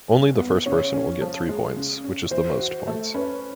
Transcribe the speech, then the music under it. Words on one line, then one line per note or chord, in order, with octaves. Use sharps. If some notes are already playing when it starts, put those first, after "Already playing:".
Only the first person will get three points, which is the most points.
G2
B3
C#3 C#5
C#4
F3
G#3
C#3
C#4
E3 C5
F#4
A3
C#4 B4